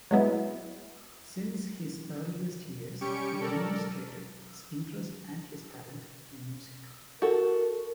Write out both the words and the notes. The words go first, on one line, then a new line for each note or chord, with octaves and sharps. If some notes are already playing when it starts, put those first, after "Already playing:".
Since his earliest years, he demonstrated his interest and his talent in music.
F#3 G#3 B3 E4
G3 C#4 G4 C#6 C#7 D7
A4 A#4 D5
F#4 A4 A#4